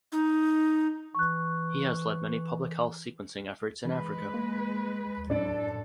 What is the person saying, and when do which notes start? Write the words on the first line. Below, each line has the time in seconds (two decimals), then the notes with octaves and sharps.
He has led many public health sequencing efforts in Africa.
0.12 D#4
1.15 E3 C#6 F#6
3.85 E3 G#3 B4
4.34 A#3
5.30 F#2 A2 F#3 D4 A4 D5